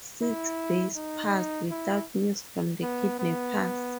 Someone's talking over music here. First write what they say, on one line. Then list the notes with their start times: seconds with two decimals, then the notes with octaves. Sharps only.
Six days passed without news from the kidnappers.
0.22 E4
0.96 D#4
1.71 E4
2.82 B3
3.19 B3